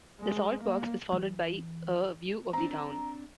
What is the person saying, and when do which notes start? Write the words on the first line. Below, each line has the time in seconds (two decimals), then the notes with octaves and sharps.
"The Salt Box" was followed by "A View of the Town".
0.20 G#3
0.61 A#3
1.12 E3
2.53 C4 D4 A#5